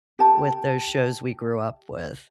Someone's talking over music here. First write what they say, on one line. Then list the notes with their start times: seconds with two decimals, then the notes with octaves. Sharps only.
with those shows we grew up with,
0.19 G4 A5